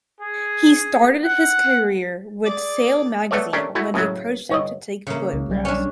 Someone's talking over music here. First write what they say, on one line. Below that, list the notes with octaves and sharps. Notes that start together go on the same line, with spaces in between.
He started his career with "Sail Magazine" when they approached him to take photographs.
G#4
F#5
G#4 D5
A3 B3 A4 C#5 D5
A3 C#4 D4 G4 A#4 C#5
A3 E4 F#4
F#2 A2 C#3 F#3
G1 C#5 D#5
C#3 A#3
C#2
B1 G3
C#4 D4